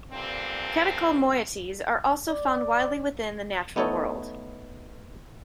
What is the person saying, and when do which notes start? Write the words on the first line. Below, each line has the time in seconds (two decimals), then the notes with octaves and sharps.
Catechol moieties are also found widely within the natural world.
0.11 G2 A#2 D3 C4
2.28 D5
3.76 A3 B3 D#4 A4 C#5